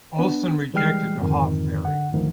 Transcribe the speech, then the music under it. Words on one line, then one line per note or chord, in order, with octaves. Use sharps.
Olsen rejected the hof theory.
B3 D4
E3 G3 G#3 G5 F6 C7
F2 G#2 D3 D#3
D3 F#5
G#1 D2 D#3 F3